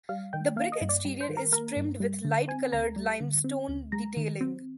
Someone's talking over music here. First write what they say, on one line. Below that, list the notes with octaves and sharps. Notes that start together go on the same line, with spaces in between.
The brick exterior is trimmed with light colored limestone detailing.
G3 F5
D#3 G5
A#3 F5
D#5
G2
D5
G3
C5
D#3
A#4
A#3 A#4
G2
G3
D3
C4 G#5
D2 A#5
G3
D3
C4
D2
G#3 A#5
D#3
C4